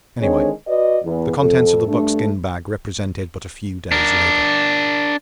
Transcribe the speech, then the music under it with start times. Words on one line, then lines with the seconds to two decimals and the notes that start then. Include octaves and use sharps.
Anyway, the contents of the buckskin bag represented but a few days' labor.
0.20 D3 D#3 G#3 C4 D4 C#5
0.67 F#4 B4 D5 D#5
1.04 E2
1.39 F2 A4
1.88 G2 A3 D4
3.92 D4 A#4